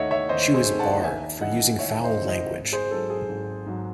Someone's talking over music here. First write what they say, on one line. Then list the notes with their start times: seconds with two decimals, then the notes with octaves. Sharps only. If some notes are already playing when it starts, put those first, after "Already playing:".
She was barred for using foul language.
Already playing: D#2 D#3 A3 C#5 D#5 E5 F#5
0.11 C#5 E5
0.29 D#2 C5 D#5
0.54 G#4 C5
0.67 D#3 A3
0.79 F#5 A5
1.04 D#2 E5 G#5
1.41 C#3 E3 D#5 F#5
1.79 D#2 C#5 E5
2.04 C5 D#5
2.16 C#3 E3
2.29 C5 D#5
2.55 G#1
2.72 G#4 C5
2.91 G#2 F#3 A4
3.10 G#4
3.29 G#1
3.66 G#2 F#3